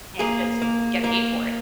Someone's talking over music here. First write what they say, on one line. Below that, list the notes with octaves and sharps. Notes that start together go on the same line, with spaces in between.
And just get paid for it.
A#3 G#4
A#3
A#3 A#4